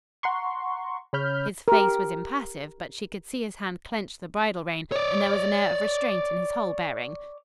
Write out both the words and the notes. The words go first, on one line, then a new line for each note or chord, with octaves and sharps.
His face was impassive, but she could see his hand clench the bridle-rein, and there was an air of restraint in his whole bearing.
F#5 A#5 C6 C#6
C#3 C#5 B5 F6 G6
G4 A#4
C#5 D5